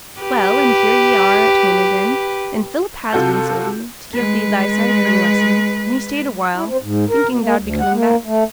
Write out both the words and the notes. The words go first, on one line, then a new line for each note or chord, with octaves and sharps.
'Well, and here ye are at home again! and Philip has been, Sylvie, to give thee thy ciphering lesson; and he stayed awhile, thinking thou'd be coming back.'
G4 B4
C3 F4 F#4 A4 G6
G#3 B4
E4
C4
G#2
A#4
B2
A#3
D2
F#5
A#3
A3